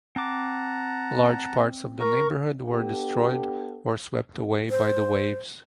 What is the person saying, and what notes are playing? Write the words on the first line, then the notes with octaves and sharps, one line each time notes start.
Large parts of the neighbourhood were destroyed or swept away by the waves.
C4 F#5 A5 A#5 D6
A#4 A#5 C#6
B3 D4 G4 A4
C5